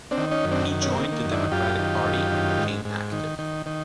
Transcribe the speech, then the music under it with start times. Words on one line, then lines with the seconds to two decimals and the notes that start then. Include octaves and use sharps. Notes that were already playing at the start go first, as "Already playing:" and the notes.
He joined the Democratic Party and became active.
0.11 C4 D4
0.18 D#3
0.31 C#4 D#4
0.45 F#2
0.51 C4 D4
0.71 D#3
0.82 C#4
0.91 A#3 C4
0.98 D#3
1.12 A#3
1.25 F#2
1.31 D4 E4
1.51 F#2 F4 G4
1.78 D#3
2.05 F#2
2.31 D#3
2.59 G#2
2.85 G#2
3.12 D#3
3.39 D#3
3.66 D#3